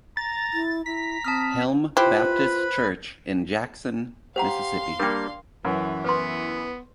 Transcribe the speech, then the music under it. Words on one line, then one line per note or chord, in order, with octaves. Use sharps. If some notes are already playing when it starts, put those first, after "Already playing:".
Helm Baptist Church, in Jackson, Mississippi.
A#5 A6
E4
E4 A#5 B6
C4 A5 D#6 F6
E4 F4 G4 B4 C5 B5
G4 C5 F5 F#5 A#5 C6
G3 A#3 D4 A#4 G5
F#2 E3
B3 B4 C6